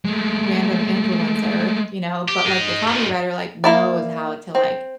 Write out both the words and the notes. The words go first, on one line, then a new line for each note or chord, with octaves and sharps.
random influencer, you know, but like the comedy writer like, knows how to like,
G#3 A3
G4
G#3 D#4
F#2 D#3
A#3 E4 D5
C4